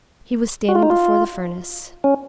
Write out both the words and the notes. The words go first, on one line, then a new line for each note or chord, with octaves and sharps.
He was standing before the furnace.
F#4
F4
D#4
F4
C#4